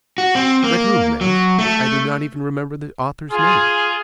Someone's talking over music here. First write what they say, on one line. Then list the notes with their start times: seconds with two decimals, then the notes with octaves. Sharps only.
"Read whom, ma'am?--I do not even remember the author's name."
0.18 F#4
0.35 C4
0.64 A#3
1.21 F#3
1.59 A3
3.32 F4 G#4